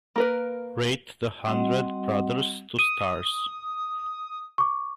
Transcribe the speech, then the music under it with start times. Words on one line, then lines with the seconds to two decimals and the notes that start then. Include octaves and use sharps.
Rate The Hundred Brothers two stars.
0.16 A#3 A#4 B4
1.46 G3 C4 F#4 D#5 F#5
2.79 D#6 D#7
4.58 C#6 D6